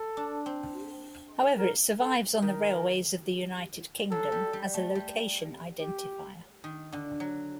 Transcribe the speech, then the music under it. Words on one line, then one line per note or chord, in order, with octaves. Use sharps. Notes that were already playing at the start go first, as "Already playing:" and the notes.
However it survives on the railways of the United Kingdom as a location identifier.
Already playing: A4
D4
C4
A#4
A4
D#3 A#4
F#3 A4
G3
G3
A3
G3
G4
D#3
D3
F#3